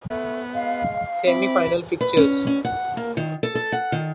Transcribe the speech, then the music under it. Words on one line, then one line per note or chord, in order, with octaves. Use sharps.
Semi final fixtures.
A3 B3
G#3 F5
C4 E4 B5 D6
B4
C#4
C#4
F#5
A#3
D#3
A4
A4
F#5
D#3